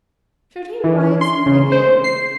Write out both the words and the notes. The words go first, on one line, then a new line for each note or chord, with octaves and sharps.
Should he rise and begin?
E3
C6
C#3
C5
C7